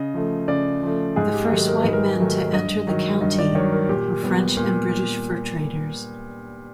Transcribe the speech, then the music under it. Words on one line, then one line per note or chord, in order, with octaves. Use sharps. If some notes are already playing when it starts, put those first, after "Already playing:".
The first white men to enter the county were French and British fur traders.
Already playing: C#3 D#5
F3 A3
C#3 D5
F3 A3
G#2 G#4
G4
D#3 F#3 A3 G4
A#4
G#2 B4
A#4
D#3 F#3 A3
G2 D#5
D#3 F#3
G2 D#5
D5
D#3 F#3 C#5
A#4
A#2 G4
G3 B3
A#2